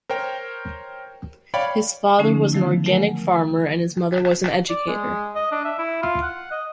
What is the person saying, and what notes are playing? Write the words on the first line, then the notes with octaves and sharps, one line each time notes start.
His father was an organic farmer and his mother was an educator.
A#4 C5 C#5 G5
C#5 D5 F5 G5 B5
D3 F3 A3 C#4 D#4
D#3 F3 F#3 A3 B3 E4
A3 A#4 F#5 G#5
D5
G#3
D#5
D4
E5
E4
F4
F#5
D#5